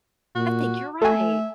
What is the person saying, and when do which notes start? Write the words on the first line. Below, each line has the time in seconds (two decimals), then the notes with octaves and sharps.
I think you're right.
0.35 A#2 F#4
1.02 A3 A4 E5 G#5